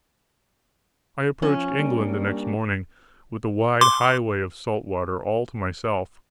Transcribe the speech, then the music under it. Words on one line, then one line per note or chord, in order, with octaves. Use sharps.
I approached England the next morning, with the wide highway of salt water all to myself.
F3 C#4
G3 A#3 D4
C6 D6